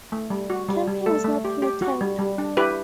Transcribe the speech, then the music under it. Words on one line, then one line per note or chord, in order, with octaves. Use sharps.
Camping is not permitted.
A3
G3
F#4
G3
G3
A3 A4
A3
G4
G4
F#4
G3
G3
D4
E4 G4 B4